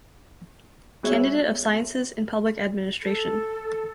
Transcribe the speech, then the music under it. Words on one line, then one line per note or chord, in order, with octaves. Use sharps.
Candidate of Sciences in Public Administration.
G3 B3 F#4 G#4 C#5 E5
A4